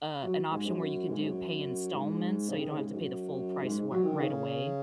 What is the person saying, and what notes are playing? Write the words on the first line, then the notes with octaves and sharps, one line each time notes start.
uh, an option where you could do pay installments, so, you don't have to pay the full price r right away
F#3
G#2
F#2
G#2
F#2
G#2
C#3
D#3
C#3
G#2
F#2
G#2
F#3
D#3
C#3